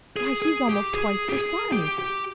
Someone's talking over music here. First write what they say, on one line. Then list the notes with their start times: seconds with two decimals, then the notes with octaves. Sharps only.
"Why, he's almost twice her size."
0.16 G#4
0.42 G#4
0.69 G4
0.94 G#4
1.29 G4
1.33 G#4
1.72 G4
1.99 G4